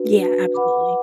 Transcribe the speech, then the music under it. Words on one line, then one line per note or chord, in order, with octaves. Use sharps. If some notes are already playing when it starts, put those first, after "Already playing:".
Yeah, absolutely.
Already playing: D4 F#4 B4
D4 F#4 B4
B4 F#5 B5 D6